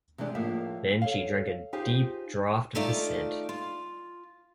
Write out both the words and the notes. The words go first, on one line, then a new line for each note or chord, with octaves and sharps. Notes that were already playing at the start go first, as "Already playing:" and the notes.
Then she drank a deep draught of the scent.
C3 E3 G#3 D4 G4 D5
A2 F3 G#3 A#3 E5
A4 C#5 F5
D#4 F4 G4 G#4 C5
D#3 A3 D#4 F4 D5 A#5
F4